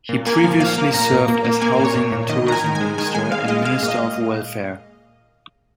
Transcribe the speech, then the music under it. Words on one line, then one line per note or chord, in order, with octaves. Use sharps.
He previously served as housing and tourism minister and minister of welfare.
A#2
A#3 G#5
F3
A#2 F5
A#3
A#2 A#5
A#2
A#3
A#3
A#3 G#5
A#2
C#5
A#2
A#2
D#3 D#5
D#3 A#5
G#5
D#3
G#5
G#3
D#3 G#5
G#3 G#5
G#3 F5
G#3 D#5
G#3 F5
A#2
D#5